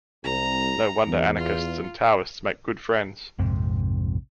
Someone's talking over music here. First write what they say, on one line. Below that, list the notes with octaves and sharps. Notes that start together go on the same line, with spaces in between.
No wonder anarchists and Taoists make good friends.
C2 A#5
E2
F4
A#1 F2 G#2 C3